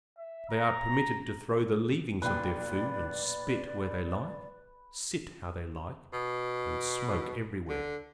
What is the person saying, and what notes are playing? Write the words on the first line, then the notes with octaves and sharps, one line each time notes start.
They are permitted to throw the leavings of their food and spit where they like, sit how they like and smoke everywhere.
E5
A#5
B1 A#2 B4 D5 G5
B2
D3